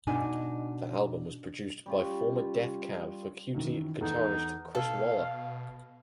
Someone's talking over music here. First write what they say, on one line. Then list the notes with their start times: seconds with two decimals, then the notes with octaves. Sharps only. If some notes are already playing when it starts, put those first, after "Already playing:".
The album was produced by former Death Cab for Cutie guitarist Chris Walla.
0.07 B2 D4 D#4 G#5
1.86 G3 C#4 F4
3.55 F#2 D#3 E3
4.01 E2 D#4 A4
4.75 B2 A4 F5